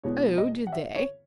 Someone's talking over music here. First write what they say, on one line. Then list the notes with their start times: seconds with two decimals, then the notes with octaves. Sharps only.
'Oh! did they?
0.03 E2 B2 G#3 B3 C#5
0.38 D#5
0.67 F#5
0.72 E5
0.96 C#5